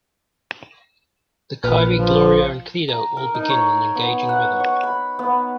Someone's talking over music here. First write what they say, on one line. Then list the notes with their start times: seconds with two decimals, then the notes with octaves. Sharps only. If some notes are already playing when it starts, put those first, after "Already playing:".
The Kyrie, Gloria and Credo all begin with an engaging rhythm.
1.64 A#1 B4 F6
2.00 F3
2.89 A#5
3.17 A#4
3.35 D#4
3.50 C#5
3.95 B3
4.29 F#5
4.60 C#5
4.83 B5
5.19 B3